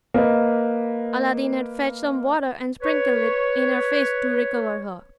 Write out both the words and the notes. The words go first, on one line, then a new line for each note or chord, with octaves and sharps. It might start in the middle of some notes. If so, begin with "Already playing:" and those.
Aladdin had fetched some water, and sprinkled it in her face to recover her.
A#3 B4 D#5
B4 C#5